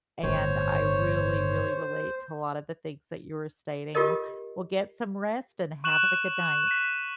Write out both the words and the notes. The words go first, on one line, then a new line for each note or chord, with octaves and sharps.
and I really really relate to a lot of the things that you were stating. Well, get some rest and have a good night.
G1 A2 C3 C5 C#5
F4 G4 A4 A#4 D#5
C#6 F#6 E7 F#7
B6 D#7